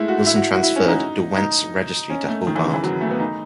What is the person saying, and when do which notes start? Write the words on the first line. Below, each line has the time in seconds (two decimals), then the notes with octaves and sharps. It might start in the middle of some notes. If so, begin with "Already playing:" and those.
Wilson transferred "Derwent"s registry to Hobart.
Already playing: G#3 A3 E4
0.08 F#4
0.26 E4
0.36 F#4
0.54 F#4
0.63 E4
0.76 C#4
0.88 D#4
1.36 D#4
2.10 C#4
2.28 A3
2.47 D#3
2.55 E3
2.65 C#3
2.74 E3
2.83 F#3
3.01 A3
3.10 B3
3.20 D#4